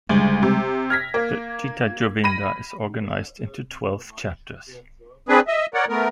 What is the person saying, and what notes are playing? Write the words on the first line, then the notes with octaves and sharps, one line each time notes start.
The Gita Govinda is organized into twelve chapters.
D2 C#3 G3 G#3
C3
F6 G#6 A#6 B6
A#3
B5 A#6 D#7
C4 D4 G#4 B4
D#5 E5
A#4 C#5 D5 F#5
A3 B3 A#4